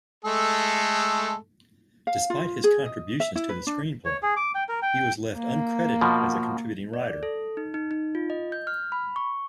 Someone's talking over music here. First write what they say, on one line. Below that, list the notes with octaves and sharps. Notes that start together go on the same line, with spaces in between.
Despite his contributions to the screenplay, he was left uncredited as a contributing writer.
G#3 A3 A4
F5
F4
G#4
D#5
E5
E4
B4
D4
C#5
G#4
D6
G5
A#4
G5
A#3
B2 F3
D5
A4
D#4
D#4
D#4
F4
D#5
G6
F6
B5
C#6